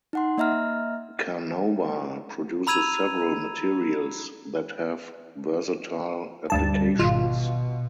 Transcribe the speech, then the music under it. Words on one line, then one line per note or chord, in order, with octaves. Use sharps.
Carnauba produces several materials that have versatile applications.
D#4 F#5 C6
A#3 D#5 E5 A#5 F6
A#5 B5 E6 G#6 D#7 F7
D2 G2 G3 A5
G#1 B2 F4